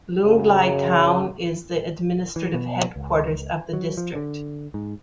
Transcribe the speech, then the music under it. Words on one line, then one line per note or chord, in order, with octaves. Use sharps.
Lunglei town is the administrative headquarters of the district.
F#2 C#3
E3
B2
C#2
F#3
F3
D3
G#2